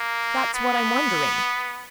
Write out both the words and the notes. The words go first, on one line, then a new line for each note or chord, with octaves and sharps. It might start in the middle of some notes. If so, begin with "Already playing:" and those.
That's what I'm wondering.
Already playing: A#3
B3